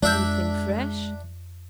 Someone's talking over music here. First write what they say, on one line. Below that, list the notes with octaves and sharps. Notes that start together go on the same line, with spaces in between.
Anything fresh?'
F2 G#3 D4 E5 G6